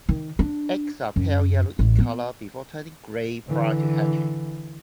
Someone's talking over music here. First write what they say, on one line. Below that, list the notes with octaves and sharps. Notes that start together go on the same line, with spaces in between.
Eggs are pale yellow in colour, before turning grey prior to hatching.
D#3
D4
F#2
A1
B3
D3 E3